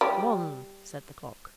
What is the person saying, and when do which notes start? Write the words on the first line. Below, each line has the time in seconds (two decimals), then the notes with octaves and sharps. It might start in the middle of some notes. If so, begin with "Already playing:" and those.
"One!" said the clock.
0.01 G3